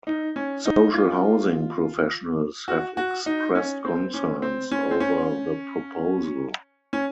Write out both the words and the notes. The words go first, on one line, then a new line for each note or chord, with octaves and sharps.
Social housing professionals have expressed concerns over the proposal.
D#4
C#4
D#4
F4
F#4
F#4
D#4
C#4
C4
C#4
C4
C#4
C4
C#4
C#4